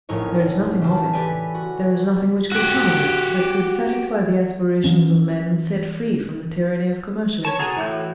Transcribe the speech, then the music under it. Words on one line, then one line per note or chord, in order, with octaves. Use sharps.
There is nothing of it--there is nothing which could come of it that could satisfy the aspirations of men set free from the tyranny of commercialism.
F1 A#1 A2 D#4 C#5
C#3 E3 A5
G4 A4 B4 D5 G#5
F#4
F#4 G4
E3 C#4
C#5 A5
F#4 G#4 A4 C#5 A#5
A2 E3 F#4 G6